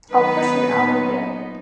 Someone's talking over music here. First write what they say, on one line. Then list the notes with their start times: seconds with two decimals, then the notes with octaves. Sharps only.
I'll push you out of here.
0.11 D#3 F#3 B3 D#4 B4
0.74 A#2 F#3 B3 D#4